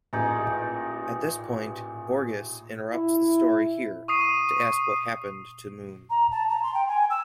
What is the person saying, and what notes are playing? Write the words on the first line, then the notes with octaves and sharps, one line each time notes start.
At this point, Borges interrupts the story here to ask what happened to Moon.
A1 A#2 G#3 D#4 D5
E4
C#6 D#6 C7 D#7
A#5
A5
A#5
C6
G5
G#5
E6